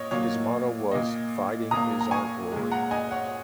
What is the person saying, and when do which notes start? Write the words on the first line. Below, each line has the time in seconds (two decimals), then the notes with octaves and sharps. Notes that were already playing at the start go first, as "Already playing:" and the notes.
His motto was: ""Fighting is our glory!
Already playing: A#2 C#5 D#5
0.11 A#2 F#3 A#3 C#5
0.91 A#2 A#3 D#5
1.71 A#2 A#3 A#5 D#6
2.01 A#5
2.11 G#5 C#6
2.52 A#2 G#3
2.71 F#5 A#5
2.91 D#5 G#5
3.11 C#5 F#5